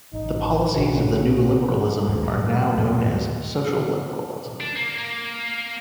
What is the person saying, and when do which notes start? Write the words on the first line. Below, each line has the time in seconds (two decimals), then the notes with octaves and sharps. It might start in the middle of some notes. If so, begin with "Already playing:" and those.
The policies of the New Liberalism are now known as social liberalism.
0.13 A1 D#4
0.73 B1 C#3 F#4 G#4 A#4
2.09 D#2
2.23 A#2 F#3 A3
2.77 E2 B3
2.96 D2 G#2 D#3 E3
4.60 D4
4.75 A#3
4.98 A#3